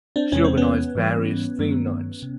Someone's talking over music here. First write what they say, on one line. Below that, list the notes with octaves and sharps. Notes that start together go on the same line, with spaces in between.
She organized various theme nights.
C4 D4
E2 C3 E3 G#3 C#4
C4
B3 C#4
G#2 E3 G3
G2 D#3 F#3 A3
C3